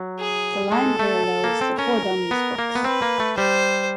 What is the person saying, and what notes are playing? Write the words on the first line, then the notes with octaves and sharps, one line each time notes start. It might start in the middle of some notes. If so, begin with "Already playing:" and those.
The line parallels the "For Dummies" books.
Already playing: F#3
G#4
G#3 A4
A3
A#3
C4
C#4 A#4
B3
A#3
B3
C4 B4
A#3
A3
G3 C5